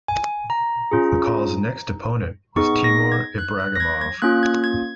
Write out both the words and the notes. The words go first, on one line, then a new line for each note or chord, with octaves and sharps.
McCall's next opponent was Timur Ibragimov.
G#5
A#5
C#4 F4 G#4
B3 D#4 G#4 C#6
A#6
G#6
F#6
F#6
A#6
G#6
G#6
A#3 C#4 F4 F#6
G#6
G#6